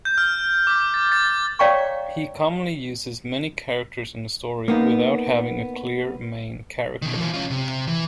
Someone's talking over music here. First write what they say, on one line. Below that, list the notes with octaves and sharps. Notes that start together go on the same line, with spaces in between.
He commonly uses many characters in a story without having a clear main character.
G6
F6
D6
A6
A6
C#5 D5 F5 G5 A#5 C#6
A#3 B3 D#4
B2 D#3
E3 F3
C#4 F4
C3
E3